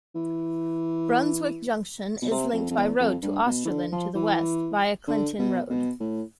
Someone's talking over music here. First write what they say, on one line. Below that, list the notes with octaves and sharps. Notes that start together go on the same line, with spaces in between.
Brunswick Junction is linked by road to Australind to the west via Clifton Road.
E3
B2
C3
F2
F2
E2
F2
G2
B2
E3
D3
F3
E3
D3
B2
B2
A2